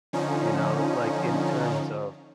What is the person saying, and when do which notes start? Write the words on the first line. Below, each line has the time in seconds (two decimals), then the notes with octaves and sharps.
you know, like, in terms of,
0.13 D3 F3 C#4 D#4